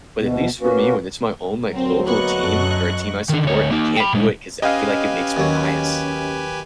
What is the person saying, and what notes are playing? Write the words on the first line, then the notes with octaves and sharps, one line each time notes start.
But at least for me, when it's my own, like, local team or a team I support, I can't do it 'cause I feel like it makes me biased.
D2 B2 B3
A#3 C#4 F#4 B4
D2 F#3 C4 A#4
A#3 B3 D#5 C#6 F#6
F#2 A4
D3 D#3
D2 C#5
A#3 D#4
G5 B5
A#2 G#3
C#4 G4 B4 D#5 F5 G#5
D#2 F#3